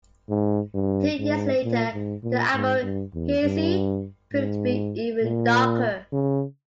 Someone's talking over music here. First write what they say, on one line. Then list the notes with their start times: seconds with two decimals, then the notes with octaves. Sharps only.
Two years later the album "Heresie" proved to be even darker.
0.29 G#2
0.74 G2
1.19 G#2
1.64 A#2
1.93 G#2
2.23 A#2
2.54 G#2
2.83 G2
3.14 E2
3.44 G2
4.33 G#2
5.23 A#2
6.12 C#3